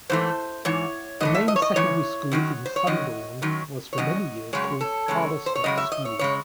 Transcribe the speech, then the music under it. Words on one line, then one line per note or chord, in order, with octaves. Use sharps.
The main secondary school in Sundorne was for many years called "Harlescott" school.
G#2 E3 A3 C5
G#2 E3 C#5
G#2 E3 A3 D#5
E5
D#5
C#5
D#5
G#2 E3 C#5
F#2 D#3 F#3
C5
C#5
F#2 D#3 F#3 D#5
F#2 D#3 F#3
C#5
F#2 D#3 F#3 D#5
F#2 C#3 G#3 C#5
A4
F#2 C#3 G#3 C#5
C5
C#5
F#2 C#3 G#3 D#5
E5
D#5
C#5
C#3 G#3 C#5